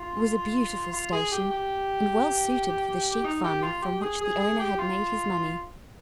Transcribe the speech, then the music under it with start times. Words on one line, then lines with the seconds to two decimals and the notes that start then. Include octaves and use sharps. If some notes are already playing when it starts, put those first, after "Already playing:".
It was a beautiful station and well suited for the sheep farming from which the owner had made his money.
Already playing: F4
0.93 F4
1.12 G#4
1.32 G4
1.51 G4
3.24 D#4
3.44 G4
3.62 F4
3.82 G4
4.01 G#4
4.21 G#4
4.40 G#4
4.59 G4
4.78 F4